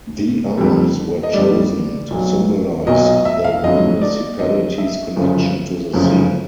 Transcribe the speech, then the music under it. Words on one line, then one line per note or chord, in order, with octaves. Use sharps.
The arms were chosen to symbolize the municipality's connection to the sea.
F2 D3 G3
D#5
F2 D3 G3 D5
B1 B2 F#3
B1 B2 F#3 D#5
D#5
E5
F5
F2 D3 F#3 D#5
D5
F2 D3 F#3 D#5
E5
G1 F#2 C#3 F3
G1 F#2 C#3 F3